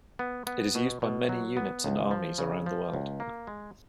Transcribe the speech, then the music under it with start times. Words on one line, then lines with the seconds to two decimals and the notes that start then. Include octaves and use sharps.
It is used by many units and armies around the world.
0.19 B3
0.47 B3
0.75 B2
1.02 B2
1.29 F#3
1.57 B3
1.84 C#2
2.11 F3
2.38 C#3
2.66 F3
2.94 C#2
3.20 A#3
3.47 G#3